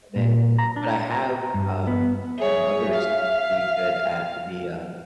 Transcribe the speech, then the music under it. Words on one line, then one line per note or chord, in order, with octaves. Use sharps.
and then but I have um, my mother is pretty good at the, um,
A#2
A#5
D4
A#5
A#5
G2
B3
G#4 C#5 E5
F5